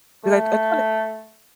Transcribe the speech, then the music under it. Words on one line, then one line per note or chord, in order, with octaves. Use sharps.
'cause I I just wanna
A3